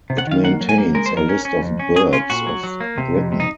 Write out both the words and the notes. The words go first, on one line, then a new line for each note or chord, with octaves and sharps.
It maintains a list of birds of Britain.
C3
F#5
D#3 F5
A#3 F#5
F#3
G#5
A#3
G#3 A#4
C5
F2
A#4
C#4
C#4
F2
C#4
F#3 G#4
C#4 F4
A#2 F#4
F#3
F#3
A#3
C3
F2
C3
D#4